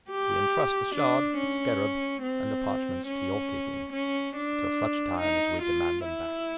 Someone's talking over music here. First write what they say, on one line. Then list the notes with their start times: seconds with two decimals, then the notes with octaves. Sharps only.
We entrust the sherd, the scarab, and the parchments to your keeping, till such time as we demand them back again.
0.11 G4
0.95 D4
1.38 C#4
2.23 C4
3.07 C#4
3.92 C#4
4.36 D4
5.20 D#4
5.62 F4
6.05 E4